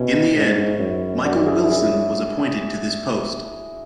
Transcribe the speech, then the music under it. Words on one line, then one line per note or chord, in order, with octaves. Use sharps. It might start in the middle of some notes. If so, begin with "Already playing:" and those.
In the end, Michael Wilson was appointed to this post.
Already playing: B2 C#4 E4
G#2
F#2
F#2 D4 F#4
E4 G#4
E4 G#4